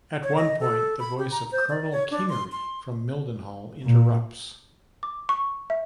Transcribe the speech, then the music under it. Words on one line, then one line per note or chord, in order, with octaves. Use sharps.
At one point the voice of Colonel Kingery from Mildenhall interrupts.
C#5
D#5
A4
B5
G4
A#5
C5
D5
C#5
D4
C6
C6
A#2
D6
C#6
E5